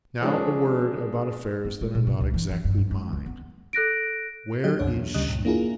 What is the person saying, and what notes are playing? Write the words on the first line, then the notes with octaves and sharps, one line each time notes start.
Now a word about affairs that are not exactly mine. Where is she?'
F3 G#3 C#4 D4
B3
G#3
A#2
C3
C#2
E3
E3
G2
G#2
G#3
C#2
B3
A4 F#6 A#6 D7
F#3 G4 D#5 F#6
C2 F#2 D4 C#5
E2
D2 C#3 G3 D#5 D#6 F#6
C#2 G2 A#2
A#3 D4 E4 F4 G#4 A#4